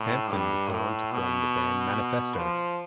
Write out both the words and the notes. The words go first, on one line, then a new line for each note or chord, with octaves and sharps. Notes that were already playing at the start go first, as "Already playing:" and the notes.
Hampton would go on to form the band Manifesto.
Already playing: A2
G2
A2
B2
F3